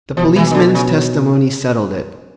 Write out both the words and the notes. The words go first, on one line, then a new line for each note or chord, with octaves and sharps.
The policeman's testimony settled it.
B2 F3
E3
D#3
D3
C#3